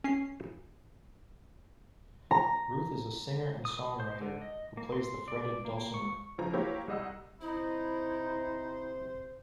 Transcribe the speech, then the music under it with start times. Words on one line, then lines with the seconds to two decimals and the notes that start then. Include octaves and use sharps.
Ruth is a singer and songwriter, who plays the fretted dulcimer.
0.04 C#4 C7
2.31 A#5
3.65 D#6
4.00 C5
4.21 D3
4.42 D#5
4.77 A#3
4.92 C6
5.28 D5
5.65 A#3
5.94 C#6
6.38 C#2 F3 A#5
6.53 F#3 A#3 E4 G4 C5 C#5
6.88 C2 G3 D#5 F#5 E6
7.41 C3 D#4 E4 C5